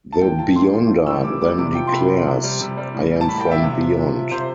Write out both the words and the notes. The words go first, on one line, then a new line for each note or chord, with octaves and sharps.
The Beyonder then declares: I am from beyond!
A5
A2 G5
F3 A5
A2 C6
F3
A2
E3 G3 E6
A2 D6
E3 G3 D6
C3 D6
F3 G5
C6
C3 B5
F3
C3
G3
C3
G3
A2
G3
A5
A2 B5
G5
G3
E5
C3
F3
C3
F3
C3 C5